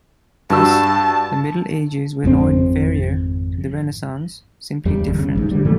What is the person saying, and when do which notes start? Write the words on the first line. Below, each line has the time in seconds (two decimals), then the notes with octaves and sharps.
Thus, the Middle Ages were not inferior to the Renaissance, simply different.
0.50 G2 F#4 A5 E6
2.24 G#1 F2 B2 C4
4.85 E2 G3
5.07 G1 E2
5.19 C#3
5.35 A1 G#2
5.51 D3 G3
5.65 G#2 E3 F3 A3